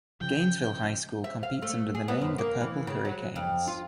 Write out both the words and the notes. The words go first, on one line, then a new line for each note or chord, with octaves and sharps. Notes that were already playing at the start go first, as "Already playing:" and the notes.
Gainesville High School competes under the name The Purple Hurricanes.
C#3 F3 G5
E5
F5
A3
G#4
B3
F#2
A#3
E3
C#3
F#3
F2
F4